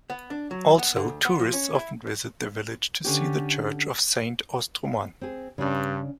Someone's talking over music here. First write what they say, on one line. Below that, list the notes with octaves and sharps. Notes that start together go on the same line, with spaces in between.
Also, tourists often visit the village to see the church of Saint-Austremoine.
B3
D4
F#3
B3
D3
D2
B3
F3
C#4
E4
D3 C#4 G4
C4 G#4
G2 C#3 D4 D5